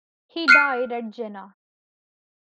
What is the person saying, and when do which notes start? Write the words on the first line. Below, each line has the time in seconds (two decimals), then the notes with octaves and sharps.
He died at Jena.
0.48 F6 F#6 C7 C#7 D#7